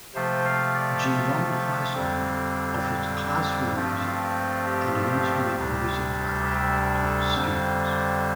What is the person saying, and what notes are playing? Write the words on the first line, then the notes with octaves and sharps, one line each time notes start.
Geelong High School offers Classroom Music and an Instrumental Music program to its students.
C3 F3 A3 C5
F5
D5
F2 D3 G3 C4
G2 F3 A3 C4
G4
D2 C3 G3 D4
E5
A4
F2 D3 G3 C5